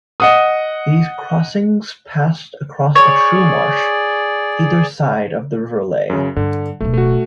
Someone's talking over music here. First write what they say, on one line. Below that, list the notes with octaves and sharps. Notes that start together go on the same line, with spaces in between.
These crossings passed across a true marsh, either side of the River Lea.
D#5 F#5 D#6
G#4 C#5 D5
F#2 C#3
G2 D3
D1 B2 A3
A3 F#4